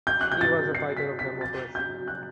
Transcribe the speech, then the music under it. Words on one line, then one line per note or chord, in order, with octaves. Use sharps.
He was a fighter of democracy.
G6
F#6
G6
A6
C7
B6
B6
A6
G6
F#6